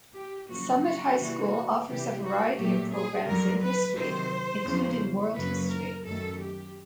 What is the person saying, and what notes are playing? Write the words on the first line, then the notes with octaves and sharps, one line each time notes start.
Summit high school offers a variety of programs in history, including World History.
G4
F#2 C#3 F3 A#3 F#4
F#4
C3 E3 G3 A#3
C3 E3 G3 G4
F#4
A#2 F#3 A3 G4
G#4
F2 D3 F#3 A#4
B4
C3 D#3 F#3 C5
E2 C#3 F3
F#2 C#3 F#3 A#3 B4
A#4
F#2 D#3 F#3 A3 A4
G4